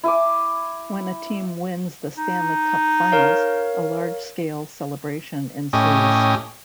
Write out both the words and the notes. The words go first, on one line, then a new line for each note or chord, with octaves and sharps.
When a team wins the Stanley Cup Finals, a large-scale celebration ensues.
E4 G#5 D6
D#4
A#4 C#5 F5
A2 C#4 G4 D#5